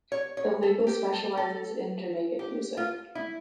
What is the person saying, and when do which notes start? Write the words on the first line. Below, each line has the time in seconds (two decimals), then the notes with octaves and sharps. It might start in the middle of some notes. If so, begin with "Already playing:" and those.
The label specializes in Jamaican music.
0.12 C#5
0.37 C#5
0.63 A4
0.87 G4
1.13 A4
1.37 A4
2.39 G4
2.77 F4
3.15 E4